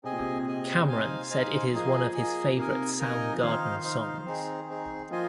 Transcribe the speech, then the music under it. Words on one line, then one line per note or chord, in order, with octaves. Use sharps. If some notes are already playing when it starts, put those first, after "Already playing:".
Cameron said it is one of his favorite Soundgarden songs.
C3 C4 G#4 D#5 G#5
A#2
C3
C4 G#4 D#5 G#5
D#4 C5 F5 G#5
D#4 C5 F5 G#5
F3 A#3 G#4 D#5 G#5
A#3 G#4 D#5 G#5
C3 A#3 D#4 A#4 D#5 G#5
A#3 D#4 A#4 D#5 G#5
F3
D#3 D#4 C5 F5
D#4 C5 F5
C4 D#4 G#4
C4 D#4 G#4
F3 A#3 F4 C5 D#5 G#5